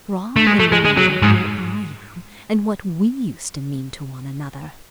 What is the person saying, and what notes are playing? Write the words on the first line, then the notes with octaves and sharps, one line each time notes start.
Try and remember who I am and what we used to mean to one another.
A3
G#3
A3
G#3
G#3
F#3
G#2